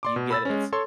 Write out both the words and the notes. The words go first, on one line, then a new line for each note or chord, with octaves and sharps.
You get it.
D5 C6 D6
B2
B5 E6 A6
G#3 C#4
A4 C#5 C6